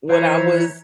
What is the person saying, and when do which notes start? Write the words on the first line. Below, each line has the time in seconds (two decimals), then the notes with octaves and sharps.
when I was
0.09 E3 C5 C#5 E5 A#5